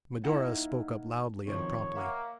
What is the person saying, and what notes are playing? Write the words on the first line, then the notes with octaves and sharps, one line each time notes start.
Medora spoke up loudly and promptly.
A#3 D#4 E4 F#5
C3 D#3 F3 C#5
A#3 E5 F#5